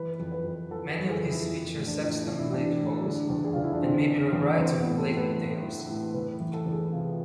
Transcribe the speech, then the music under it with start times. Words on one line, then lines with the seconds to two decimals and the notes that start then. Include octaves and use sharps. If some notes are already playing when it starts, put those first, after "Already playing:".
Many of these feature Sexton Blake foes and may be rewrites of Blake tales.
Already playing: E3 B4
0.19 F2
0.32 B4
0.44 F2
0.70 E3 A4
0.91 A4
0.97 E3
1.09 G#4
1.23 F2
1.29 E4
1.48 E3
1.74 A2
1.87 D4
2.01 A2
2.26 E3 D4
2.39 E4
2.52 E3 D4
2.78 A2
3.04 D3
3.30 E2
3.44 G#4
3.53 E2 F4
3.63 E4
3.73 D4
3.82 D3 C4
4.08 D3
4.33 E2
4.59 E3 C4
4.79 B3
4.86 A2
4.97 A4
5.11 A2
5.17 B4
5.37 E3
5.63 E3
5.88 A2
6.14 E2 B4
6.40 E3
6.53 A4
6.66 E2
6.73 G#4
6.92 C3 F4